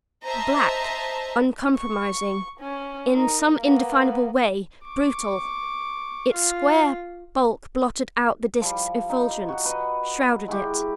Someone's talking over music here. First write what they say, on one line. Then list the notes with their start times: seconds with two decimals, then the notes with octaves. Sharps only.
Black, uncompromising, in some indefinable way BRUTAL, its square bulk blotted out the Disk's effulgence; shrouded it.
0.24 C5 D#5 E5 A5 A#5
1.75 C#6
2.60 C#4
3.15 D#4 A#4
3.61 A#3 B3
4.85 C#6 D6
6.32 F4 F5
8.61 F3 G3
9.09 D#4
9.48 F#4 F#5
9.65 B4 D#5
10.48 G#3 E4 F#4 G4